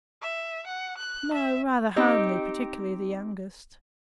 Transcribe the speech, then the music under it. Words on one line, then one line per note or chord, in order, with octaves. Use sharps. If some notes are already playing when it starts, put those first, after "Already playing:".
'No, rather homely, particularly the youngest.'
E5
F#5
F#6
E5
C4 D#4 G4